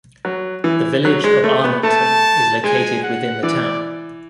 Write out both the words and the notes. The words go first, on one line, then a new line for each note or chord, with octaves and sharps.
The Village of Arlington is located within the town.
F#3
E3
F#3
G#3
A3
B3
A3 A5
G#3 G#5
F#5
E3 D5